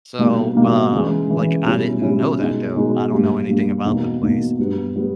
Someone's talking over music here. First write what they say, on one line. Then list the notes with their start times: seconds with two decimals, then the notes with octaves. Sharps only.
So, uh, like, I didn't know that, though, I don't know anything about the place.
0.18 B2 G3 A#3 D#4
0.55 B2 G3 A#3 D#4
0.91 C#3 E3 G#3
1.28 C#3 E3 G#3
1.65 B2 G3 C#4 E4
2.02 B2 G3 C#4 E4
2.38 B2 G#3 D#4
2.75 B2 G#3 D#4
3.12 G2 G3 A#3
3.49 G2 G3 A#3
3.85 E2 B2 A#3 D#4
4.22 E2 B2 A#3 D#4
4.59 G2 G3 B3
4.96 G3 B3